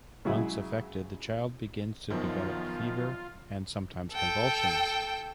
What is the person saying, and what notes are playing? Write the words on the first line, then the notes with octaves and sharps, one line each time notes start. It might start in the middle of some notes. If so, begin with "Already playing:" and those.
Once affected, the child begins to develop fever, and sometimes convulsions.
C#3 F#3 G#3 E4 G#4
F#2 B2 D#3 F3 F4
A4 G5